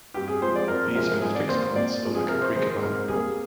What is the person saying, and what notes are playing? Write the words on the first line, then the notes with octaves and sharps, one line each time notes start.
These are the fixed points of the Kaprekar mapping.
G2 G4
G#4
F3 G#3 C5
D5
F2 A#4
C3 F3 G#3 A#4
G#2 G#4
D5
D#3 A#3 C5
C5
A#2 D5
F3 G#3
G#4
C3 A#4
C5
D#3 G#3 C5
C5
G#2 A#4
G3 A#3 G#4